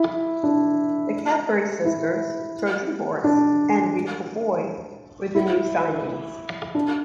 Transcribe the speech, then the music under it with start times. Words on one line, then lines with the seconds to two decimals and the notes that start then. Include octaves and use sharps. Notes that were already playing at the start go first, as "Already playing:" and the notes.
The Cadbury Sisters, Trojanhorse, and Beautiful Boy were the new signings.
Already playing: E4
0.43 D4
1.85 E4
3.24 D4
5.35 E4
6.75 D4